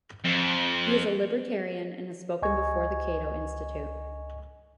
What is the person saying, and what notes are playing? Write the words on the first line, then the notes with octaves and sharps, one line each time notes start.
He is a libertarian and has spoken before the Cato Institute.
F2
C#2 D#5 G#5 C#6 G#6